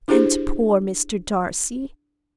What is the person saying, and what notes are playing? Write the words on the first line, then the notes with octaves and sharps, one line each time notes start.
And poor Mr. Darcy!
D4 E4 G4 G#4 C5